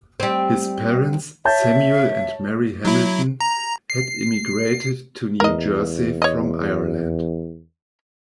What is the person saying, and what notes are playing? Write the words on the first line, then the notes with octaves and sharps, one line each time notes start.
His parents, Samuel and Mary Hamilton, had immigrated to New Jersey from Ireland.
G3 C4
C#5 E5 A5 G6
F#3 E4
A#5
C7
E2 A#4 D#5
C#5 D#5